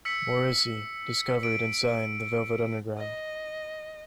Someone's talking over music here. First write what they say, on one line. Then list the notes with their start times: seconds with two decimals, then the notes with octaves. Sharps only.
Morrissey discovered and signed the Velvet Underground.
0.05 E6 B6 C#7
1.43 D7
2.98 D#5